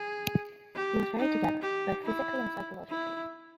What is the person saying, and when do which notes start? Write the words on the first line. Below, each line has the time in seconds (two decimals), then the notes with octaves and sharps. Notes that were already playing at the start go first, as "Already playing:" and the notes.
He was very together both physically and psychologically.
Already playing: G#4
0.75 G4
1.18 D#4
1.62 G4
2.05 E4
2.90 E4